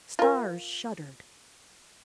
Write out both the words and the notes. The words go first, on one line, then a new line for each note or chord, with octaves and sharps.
Stars shuddered.
F4 A#4